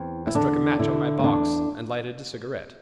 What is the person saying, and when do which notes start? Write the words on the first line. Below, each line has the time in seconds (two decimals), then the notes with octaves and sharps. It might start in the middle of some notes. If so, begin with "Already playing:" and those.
I struck a match on my box and lighted a cigarette.
Already playing: E2 C4
0.27 E4
0.35 D3 D4
0.79 D3 E4
1.19 C4
1.24 E2 D4